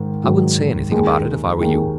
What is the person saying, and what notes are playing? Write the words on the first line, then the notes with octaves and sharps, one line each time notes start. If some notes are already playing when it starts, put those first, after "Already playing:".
I wouldn't say anything about it if I were you.
Already playing: G#2 D#3
G#2 D#3 F#3
D#2 D#3 G#3
D#2 D#3 G#3